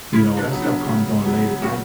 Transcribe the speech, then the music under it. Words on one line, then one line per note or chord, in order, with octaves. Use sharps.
you know, that stuff comes on late at night.
C#3 E4
D4
F#3 B3
D4
C#3
F#3 B3
C#3 F#4